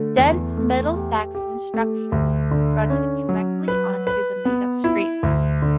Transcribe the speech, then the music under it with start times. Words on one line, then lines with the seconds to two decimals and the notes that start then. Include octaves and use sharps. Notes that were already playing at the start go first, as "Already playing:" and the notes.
Dense Middle-Saxon structures fronted directly onto the made-up streets.
Already playing: D3 A3
0.18 E2
0.57 A3
0.96 G4
1.35 G4
1.74 A3
2.12 D2
2.51 D3
2.90 C#4
3.29 F#3
3.68 B4
4.07 B4
4.45 B3
4.84 E4
5.23 D2
5.62 D3